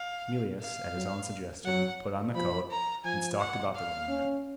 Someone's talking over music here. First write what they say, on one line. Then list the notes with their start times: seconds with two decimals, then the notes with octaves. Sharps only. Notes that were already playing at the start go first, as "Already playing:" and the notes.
Mealyus, at his own suggestion, put on the coat, and stalked about the room in it.
Already playing: F5
0.61 F5
0.95 F#3
1.65 F#3 F#5
2.35 F3 B5
2.71 A#5
3.04 F3 G#5
3.40 F#5
3.75 F5
4.09 C#4